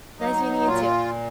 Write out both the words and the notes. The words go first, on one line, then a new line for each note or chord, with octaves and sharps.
Nice meeting you too.
F#3 D#4
A#2 F4